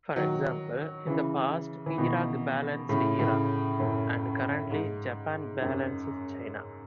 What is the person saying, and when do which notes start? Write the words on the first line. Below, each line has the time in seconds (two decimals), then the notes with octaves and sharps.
For example, in the past, Iraq balanced Iran, and currently Japan balances China.
0.16 D#3 F#3
1.07 C#3 E3
1.86 E3
1.98 B2 D#3
2.89 A2 C#3
3.19 A2 C#3
3.80 F#2 A2
4.71 G#2
5.62 F#2